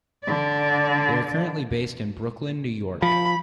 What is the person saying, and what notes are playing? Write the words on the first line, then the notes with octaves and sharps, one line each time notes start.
They are currently based in Brooklyn, New York.
D3 D5
F3 B5